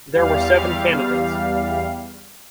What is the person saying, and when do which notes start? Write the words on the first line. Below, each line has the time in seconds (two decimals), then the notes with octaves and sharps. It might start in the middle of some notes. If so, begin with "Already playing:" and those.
There were seven candidates.
0.12 E2 G3 F5